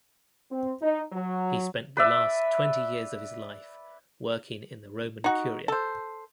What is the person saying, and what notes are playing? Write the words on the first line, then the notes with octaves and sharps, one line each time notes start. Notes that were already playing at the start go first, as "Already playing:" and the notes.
He spent the last twenty years of his life working in the Roman Curia.
C4
D#4
F#3
B4 D5 E5
D#4 F#4
A4 C5